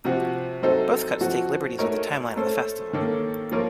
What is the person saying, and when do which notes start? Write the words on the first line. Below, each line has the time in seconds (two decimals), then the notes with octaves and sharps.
Both cuts take liberties with the timeline of the festival.
0.05 C3 F3 C4 F#4
0.62 F#3 C4 D#4 A4 C5
1.21 F3 C4 F#4
1.78 A3 D#4 A#4 C#5
2.36 A3 C#4 A4 C5
2.93 D#3 A#3 C#4 A4
3.51 F3 A#3 F4 A#4 C#5